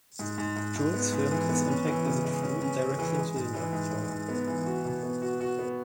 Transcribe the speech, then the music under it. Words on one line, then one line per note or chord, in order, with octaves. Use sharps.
Jules filmed its impact as it flew directly into the North Tower.
G#2
G#2
G#2
G#2
B3
G#2
E3
B3
C#4
E3
C#3
G#3
C#4
C#4
G#3
E3
G#3
G#2
E3
G#2
G#3
G#2
B3
E3
F#4
B2
B3
F#4
F#4
B3